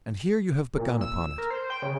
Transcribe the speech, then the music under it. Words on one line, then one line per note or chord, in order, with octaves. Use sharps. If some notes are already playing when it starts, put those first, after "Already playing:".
And here you have begun upon it.
A#2
E6
A#4
C5
G5
C#3